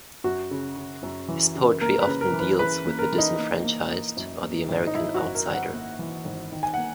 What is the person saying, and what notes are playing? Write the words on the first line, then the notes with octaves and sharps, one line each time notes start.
His poetry often deals with the disenfranchised, or the American outsider.
F#2 F#4
C#3
C#3
F#2
E3
C#3
A#3 A#4
B4
C#3
A#4
E3
B4
E3 B4
A#3
A#4
E3
D#4
A#3
A#3
A#3
F#2
A#3
G#1
D#4
G#1 E4
F#4
F#2
A#4
G#1
F#5
A#3
E3
G#1
D#3
G#5
A#3 F#5